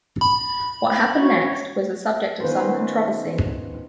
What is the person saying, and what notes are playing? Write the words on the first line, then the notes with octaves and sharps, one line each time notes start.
What happened next was a subject of some controversy.
B5
F#4 C#5
D#3 B3 C#4 F4 B4 C5